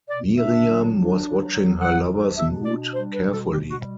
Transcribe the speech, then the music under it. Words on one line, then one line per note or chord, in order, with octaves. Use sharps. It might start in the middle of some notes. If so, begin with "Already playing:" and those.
Miriam was watching her lover’s mood carefully.
B2 D5
D4 E5
F#3
D4
F#3
F#3
F#3 F#5
D4
B2 E5
D4 D5
G3 C5
B4
B2
A4
B2 G4
F#4
G3